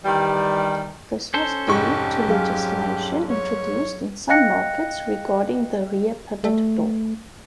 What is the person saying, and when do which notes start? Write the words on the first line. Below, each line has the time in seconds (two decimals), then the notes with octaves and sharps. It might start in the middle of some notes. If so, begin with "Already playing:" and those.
This was due to legislation introduced in some markets regarding the rear pivot door.
0.05 D#3 E3 G3
1.34 C#4 A4 C5
1.67 F1 G#2 G4 C#6
2.28 F#3 G#4 F5
3.29 C#5
4.29 D#5 F5 G5 F#6 A#6 C#7
6.44 A3